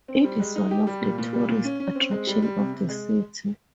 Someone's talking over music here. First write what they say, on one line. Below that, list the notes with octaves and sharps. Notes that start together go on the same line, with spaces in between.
It is one of the tourist attraction of the city.
C4
G3
G#3
D#4
G4
G3
A#2
A#2
G3
A#2
C#4
C#4
C4
G#3
G3
G3
C3
C3
G#3